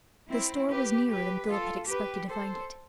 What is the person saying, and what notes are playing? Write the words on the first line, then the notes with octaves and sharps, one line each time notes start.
The store was nearer than Philip had expected to find it.
C4 E4
G4 B4
G4 B4
F4 A4
G4 B4
A4 C5